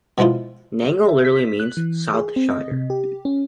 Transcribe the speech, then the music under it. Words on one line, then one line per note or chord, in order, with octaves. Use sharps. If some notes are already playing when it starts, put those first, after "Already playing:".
Nango literally means "south shire".
B2 F3 G#3 E4 F4
E5
B6
F#6
E3
G#4
C4
D#5
C3
G4
C#4